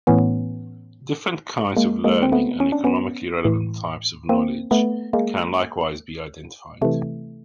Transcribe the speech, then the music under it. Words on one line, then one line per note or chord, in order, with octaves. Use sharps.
Different kinds of learning and economically relevant types of knowledge can likewise be identified.
A2 E3 B3 C#4
G#3 A#3
G#3 A#3
C4
A3 B3
C#4
D4
B3 C#4
A2 E3
A#3 C4
A3 B3
G#3 A#3
C3 E3 A3